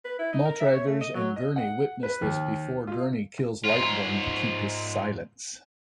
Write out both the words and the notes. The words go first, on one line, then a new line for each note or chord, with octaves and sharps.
Maltravers and Gurney witness this before Gurney kills Lightborn to keep his silence.
B4
E4
D#4
A#4
E5
C#5
A3
D#5
F#3
D#5
F#5
B4
D#2
F4
G#2 F4